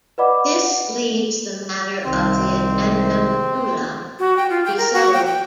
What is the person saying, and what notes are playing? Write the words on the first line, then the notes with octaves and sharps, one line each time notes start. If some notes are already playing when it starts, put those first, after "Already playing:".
This leaves the matter of the addendum "dula" to be settled.
B4 D5 D#5 F#5 B5 D6
C2 C3 D#3 C4
F#4
G5
F4
G5
A#4
F#4
G5
G5